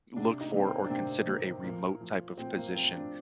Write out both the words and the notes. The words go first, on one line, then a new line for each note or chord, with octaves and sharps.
look for or consider a remote type of position.
C3 D4
D#4
D#3 C4
A#3
D4
C3 C4
D#3
A#2 A#3
F3
A#2 C4
A#3
F3 C4
D4